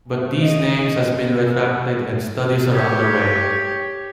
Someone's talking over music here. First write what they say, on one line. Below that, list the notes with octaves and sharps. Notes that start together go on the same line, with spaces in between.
But these names has been retracted and studies are underway.
F3 A3
D#5
A#2
G4 C#5